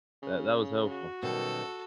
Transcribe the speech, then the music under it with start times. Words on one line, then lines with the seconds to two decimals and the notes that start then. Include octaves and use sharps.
That that was helpful.
0.23 C#3
0.88 F#4
1.23 F#2 B2 D#3 G3 A4